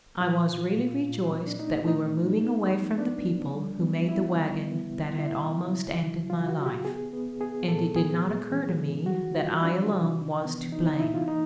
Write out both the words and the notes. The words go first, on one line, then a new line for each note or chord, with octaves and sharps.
I was really rejoiced that we were moving away from the people who made the wagon that had almost ended my life, and it did not occur to me that I alone was to blame.
A#2 F4
A#2
A#2
A#2
C4
D4
A3 D#4
A3 D#4
A3
B3
F3
B3 D4
F3
G3
B3
G3 E4
D3
B3
B2
B2 E4
B2
C#3
F#3
C#3 F4
F#4
C#3
G4
B3 G#4
B3
B3 G#4
A#2 A4
B3 G#4
G#3
E3
E3
D#3 F#4
G3 F4
C4 D4
C3
E3
B3
E3 D#4
D#4
E3 E4
F4
A#3 D#4